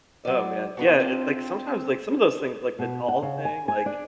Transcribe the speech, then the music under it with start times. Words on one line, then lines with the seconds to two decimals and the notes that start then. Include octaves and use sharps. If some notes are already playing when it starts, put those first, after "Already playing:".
Oh, man. Yeah, it like sometimes, like, some of those things, like, the doll thing, like
0.25 F#3 D5
0.77 F3 B3 F#4 E5
1.00 C4 D4 F4
2.79 B2
3.09 F#5
3.22 C#3
3.45 G#5
3.68 G#5
3.86 D4